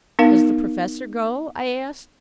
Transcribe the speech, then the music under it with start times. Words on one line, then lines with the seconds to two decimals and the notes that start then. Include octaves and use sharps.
"Does the professor go?" I asked.
0.19 B3 D#4 A#4 F5